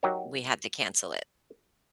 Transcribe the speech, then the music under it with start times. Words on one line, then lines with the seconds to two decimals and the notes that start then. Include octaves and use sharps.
We had to cancel it.
0.03 F#3 D#4 F#4 G4 A#4 C#5